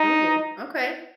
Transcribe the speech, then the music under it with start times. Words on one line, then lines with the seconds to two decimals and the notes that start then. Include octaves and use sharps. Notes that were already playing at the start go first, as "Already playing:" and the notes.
Ooh, okay.
Already playing: D#4